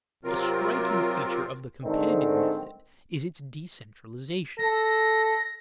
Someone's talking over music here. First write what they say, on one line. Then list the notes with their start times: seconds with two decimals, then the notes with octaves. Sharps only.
A striking feature of the competitive method is its decentralization.
0.24 C3 F#3 C4 F4 A#4
1.83 G#2 D3 D#3 A3 C4
4.58 A4 A#6